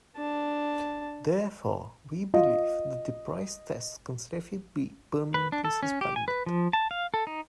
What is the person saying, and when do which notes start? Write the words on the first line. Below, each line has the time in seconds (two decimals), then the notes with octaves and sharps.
Therefore, we believe that the price-tests can safely be permanently suspended.
0.17 D4 A5
2.34 F4 D#5
5.34 B4
5.52 D4
5.65 A4
5.83 C#4
6.01 G4
6.16 G#5
6.28 B4
6.46 F3
6.73 A5
6.91 F5
7.14 A4
7.27 D#4